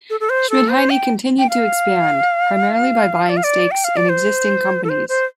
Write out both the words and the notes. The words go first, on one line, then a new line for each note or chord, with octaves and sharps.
Schmidheiny continued to expand, primarily by buying stakes in existing companies.
A4
A4
C5
A4
C5
G5
G5
F5
D5
F5
D5
G5
F5
D5
C5
A4
C5
C5